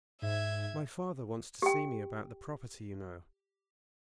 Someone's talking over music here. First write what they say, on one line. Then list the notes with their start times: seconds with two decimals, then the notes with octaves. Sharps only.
"My father wants to see me about the property, you know."
0.22 G#2 E5 G#6
1.62 G4 G5